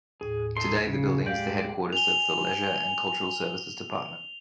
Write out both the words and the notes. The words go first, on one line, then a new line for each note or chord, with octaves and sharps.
Today the building is the headquarters of the Leisure and Cultural Services Department.
D#2 A2 G#4
D#4 A4 C6
C#3
G#3 G4 D5 F5 G6
G#5 F7 G7